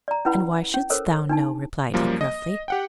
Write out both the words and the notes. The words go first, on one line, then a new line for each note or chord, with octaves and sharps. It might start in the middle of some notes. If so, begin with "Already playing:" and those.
"And why shouldst thou know?" replied he, gruffly.
D5 A#5
C#4 E4 B4 F#5 B5
C#4
A4 A#4 C5 C#5
D4 D#4 A5
F#2 F3 G3 A#3
D#5
G4 F#5 G5